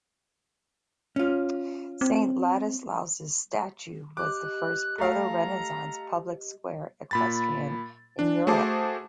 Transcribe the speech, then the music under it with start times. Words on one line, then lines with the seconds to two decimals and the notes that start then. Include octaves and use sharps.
Saint Ladislaus' statue was the first proto-renaissance public square equestrian in Europe.
1.16 C#4 F4
2.01 C4
4.17 G4 D#5 D6 F#6
4.98 A3 F5 A#5
7.11 A#2 B5 A6
8.19 D4
8.47 A3 F#4 G#4 C5 A5 D6